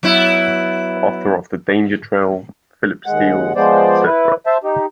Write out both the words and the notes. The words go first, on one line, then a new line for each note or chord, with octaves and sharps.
Author of the danger trail, Philip Steels, etc.
F#3 B3 E4
D#2 G#3 F#5
F3 G#3 B3 C5 D5
E4 B4
C5 E5 A5
D#4 G4